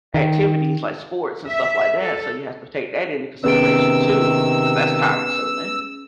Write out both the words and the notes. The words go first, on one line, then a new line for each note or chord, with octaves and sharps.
activities, like, sports and stuff like that, so, you have to take that into consideration too 'cause that's time-consuming.
D#3
E5
A4
C3 D#3 B3 C#4 G#4 E6 D7